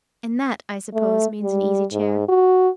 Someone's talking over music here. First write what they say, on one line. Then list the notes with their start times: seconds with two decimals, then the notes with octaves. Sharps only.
"And that, I suppose, means an easy-chair?"
0.93 A3
1.42 G3
1.92 G#2
2.29 F#4